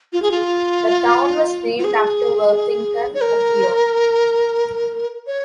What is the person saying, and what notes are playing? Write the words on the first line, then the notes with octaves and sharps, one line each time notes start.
The town was named after Worthington, Ohio.
F4
G#4
F4
F4
G#4
C#5
A#4
C#5